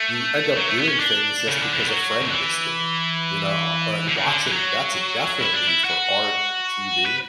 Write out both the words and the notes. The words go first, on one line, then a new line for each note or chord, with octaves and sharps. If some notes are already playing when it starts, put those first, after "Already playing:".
you end up doing things just because a friend was doing it, you know? Uh, and watching, that's definitely for art and TV,
Already playing: A3
F#3
A3
B3
C#4
D4
C#3
D3
E3
F#3
D3
E3
D3
C#3
D3
E3
F#3
E4
D4
E4
F#4
B4